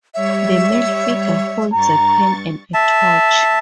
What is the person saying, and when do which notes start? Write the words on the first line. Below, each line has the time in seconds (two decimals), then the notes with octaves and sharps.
The male figure holds a pen and a torch.
0.14 G3 C#5 E5
1.73 G2 A#5 C#6 A6
2.74 E5 A5